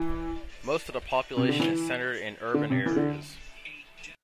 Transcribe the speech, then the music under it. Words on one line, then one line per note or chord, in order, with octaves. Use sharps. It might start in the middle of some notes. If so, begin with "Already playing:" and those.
Most of the population is centered in urban areas.
Already playing: E3
C3
D3
E3
D3
C3
E3
D3